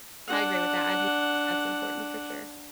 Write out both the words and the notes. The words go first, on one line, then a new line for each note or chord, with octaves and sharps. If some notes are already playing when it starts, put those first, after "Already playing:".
I agree with that, I do that's important for sure.
D4 F#5